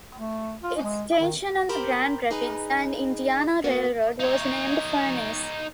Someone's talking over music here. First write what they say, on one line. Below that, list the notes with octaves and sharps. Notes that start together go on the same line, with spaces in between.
Its station on the Grand Rapids and Indiana Railroad was named "Furnace".
A3
F4
G#3
D#3
G4 A#4 C5 B5 G6
D#4 G#4 B4
A#3 B3 F#4
D#4 C#5